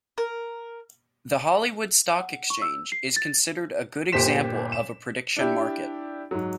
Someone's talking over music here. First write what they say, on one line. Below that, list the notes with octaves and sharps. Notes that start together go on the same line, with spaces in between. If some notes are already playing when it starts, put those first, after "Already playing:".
The Hollywood Stock Exchange is considered a good example of a prediction market.
A#4
F#5
C#6
E6
C7
A6
G1 A#2 G4 C5 B6 E7
E7
D4 E4 G4
G#2 F#3